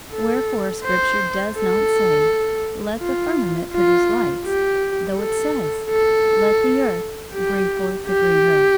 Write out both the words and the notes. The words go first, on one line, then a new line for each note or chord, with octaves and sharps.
Wherefore Scripture does not say: "Let the firmament produce lights," though it says: "Let the earth bring forth the green herb."
A4
C5
A4
F4
F4
G4
A4
A4
G4
G4